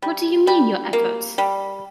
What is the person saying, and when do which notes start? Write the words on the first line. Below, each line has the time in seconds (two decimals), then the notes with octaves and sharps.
What do you mean, your efforts?
0.02 G3
0.47 G3
0.93 A#3
1.38 G3